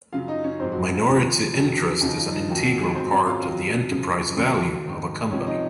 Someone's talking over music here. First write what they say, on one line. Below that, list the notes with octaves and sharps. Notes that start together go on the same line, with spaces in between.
Minority interest is an integral part of the enterprise value of a company.
F#2 C#3 F#3 F4 F5
D#4 D#5
C#4 C#5
G#2 F3 C4 C5
F#3 F#4
F#3 F#4
F4
D#2 C#3 F3
F2 D#3 F#3
D#2 C#3 F3 D#4
F4
D#4
D#2 D#3 F#3 F4
F#3 F#4
G#3 G#4
G#2 F#3 C4 C5
C#4 C#5
F4 F5
F2 D#3 F#3 F4 F5
F#2 C#3 F3
D#2 C#3 F#3
G#2 D#3 F#3
C#2 C3 F3 C#4 C#5
D#4 D#5